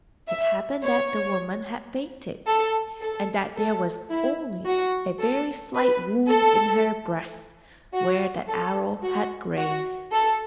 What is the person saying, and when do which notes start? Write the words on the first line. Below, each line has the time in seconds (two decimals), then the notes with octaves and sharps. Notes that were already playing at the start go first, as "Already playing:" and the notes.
It happened that the woman had fainted, and that there was only a very slight wound in her breast where the arrow had grazed.
0.28 E5
0.82 C#5
2.47 A4
3.01 A4
3.56 A4
4.11 E4
4.66 F#4
5.20 A4
5.75 B4
6.30 A4
7.93 F#4
8.48 A4
9.03 F#4
9.57 F#4
10.12 A4